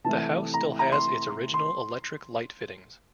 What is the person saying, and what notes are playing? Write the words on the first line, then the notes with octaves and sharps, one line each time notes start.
The house still has its original electric light fittings.
C3 E3 A3 A5
A#5
A#5
C6
C6